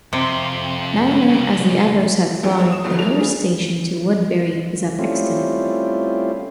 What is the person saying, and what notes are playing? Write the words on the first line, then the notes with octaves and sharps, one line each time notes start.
Now known as the Avocet Line, the nearest station to Woodbury is at Exton.
F2 C3 C6
G2 C#3
A#1 F2 G#2 G#4 G5
C5 C#5
D#6 E7
C2 F2 B2 D3 D#3
E3 G3 A#3 A4 A#4 F7
F3 G3 G#4
G3 A3 C4 C#4 E4 F4